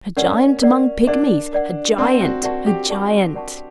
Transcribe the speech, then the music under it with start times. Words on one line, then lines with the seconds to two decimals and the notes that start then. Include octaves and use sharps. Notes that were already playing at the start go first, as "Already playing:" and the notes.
A giant among pigmies, a giant, a giant!'
0.17 C#4 A#4 D5 F#5
0.62 A#4 D5 F#5
1.07 D4 A#4 D5 F#5
1.53 A#4 D5 F#5
1.98 C4 A#4 D5 F#5 A5 C#6
2.21 F#4
2.44 F#4 A#4 D5 F#5 A5 C#6
2.66 G4
2.89 A#4 D5 F#5 A5 C#6
3.34 A#4 D5 F#5 A5 C#6